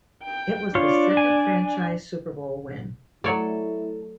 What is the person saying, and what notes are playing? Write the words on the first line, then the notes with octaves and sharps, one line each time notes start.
It was the second franchise Super Bowl win.
G5
D4 F4 C#5
G#5
F#3 A3 E4 A4 C#5 D5